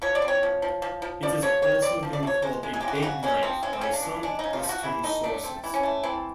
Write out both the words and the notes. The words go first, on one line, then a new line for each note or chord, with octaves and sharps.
It has also been called a "big knife" by some western sources.
F3 C#5
D5
C4
C#5
F3
F3
F3
F3
F3 D5
F3 C#5
C4 C#5
C4 D5
F3
D5
A3
C#5
G#3 C5
G#3
G#4
G#3 G4
F#4
G4
C#3 F#4
G#3 C#4
F3 C4
G#3 C#4
C4
C#3 C#4
D4
F3
G#3 D4
C#3 D#4
F4
F3
F#4
E3 E4
A3 D#4
A3 D4
C4
E3
C#4
A3
E3 C4